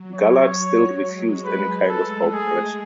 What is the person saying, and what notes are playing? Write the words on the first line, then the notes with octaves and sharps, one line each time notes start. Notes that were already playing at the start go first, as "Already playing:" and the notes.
Galard still refused any kind of cooperation.
Already playing: F#3
C#5
G#3
B4
A3 A4
G#3 G#4